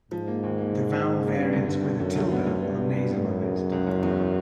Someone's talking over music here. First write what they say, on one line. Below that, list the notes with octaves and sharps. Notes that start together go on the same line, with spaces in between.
The vowel variants with a tilde are nasalized.
G#2 F3
A#3
D#2
A#3
A#3
F3
D#2
A#3
G2 B3
D2
G2 D3
D3
F#2 D3
D2
B3
D2
G2 B3
F#3
B3
B3
F#2 B3
C#3
F#3
C#2
F#1
E2